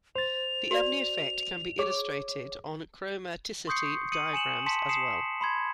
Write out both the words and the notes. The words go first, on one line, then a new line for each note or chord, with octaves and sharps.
The Abney effect can be illustrated on chromaticity diagrams as well.
C5 A6 F7
F#4 D5
G#4 C#5 D6
C6 C#6 D#6 G6 C7 C#7
D#6 C#7 D#7 F#7
G#5 C#7 E7 F#7
A5 C6 B6 C#7 E7
D#6 C7 C#7 E7
B5 C6 G#6